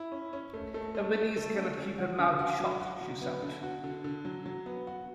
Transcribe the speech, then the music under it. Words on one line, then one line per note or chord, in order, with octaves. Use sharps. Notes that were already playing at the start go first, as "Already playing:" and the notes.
"A Viennese cannot keep her mouth shut", she said.
Already playing: E4
C#4
C#4
A3
A3
A3
A3
A3
C#4
C#4
F#4
D3
F#4
F#3
F#4
F#3
B3
D3
F#4
D3
D3
F#3
F#3
B3
F#4